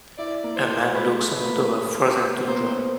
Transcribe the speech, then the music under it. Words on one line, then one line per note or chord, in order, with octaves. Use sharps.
A man looks out over frozen tundra.
E4 D5
A#3
C5
A3
G#3 B4
A3
B4
A#3
B3
A#3 C5